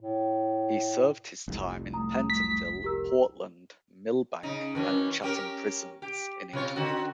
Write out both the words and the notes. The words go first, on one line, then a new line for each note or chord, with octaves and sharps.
He served his time in Pentonville, Portland, Millbank and Chatham prisons in England.
A2
F1 C2
G3 A3 A#5 D#6
B6
G4 A#4 A#5 E6
C#3 D#4
F#2 E3 C#4
C#4 G4 A#4
G4
C3 F4 C#5
D3 C4 F#4